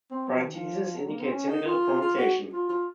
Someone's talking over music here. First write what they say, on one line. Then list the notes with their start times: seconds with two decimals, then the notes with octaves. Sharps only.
Parentheses indicate Senegal pronunciation.
0.11 C4
0.28 F#3
0.37 F3
0.45 D#3
0.54 F3
0.96 F#3
1.09 A#3
1.21 C4
1.32 C#4
1.48 D#4
1.66 F4
2.01 F4
2.18 F#4
2.53 F4
2.69 F4